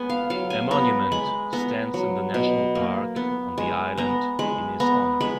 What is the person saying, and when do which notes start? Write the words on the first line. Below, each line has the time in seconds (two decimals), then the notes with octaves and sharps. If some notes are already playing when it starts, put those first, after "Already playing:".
A monument stands in the national park on the island in his honour.
Already playing: G#3 B3 G#5
0.10 F5
0.30 F#3 F5
0.50 G#5
0.71 B3 A#5
1.12 G#3 B5
1.53 B3 A#5
1.94 F#3
2.34 B2
2.75 A#3
3.16 B3
3.58 G#3
3.97 B3 A#5
4.39 G#3 B5
4.80 B3 A#5
5.21 G#3 B5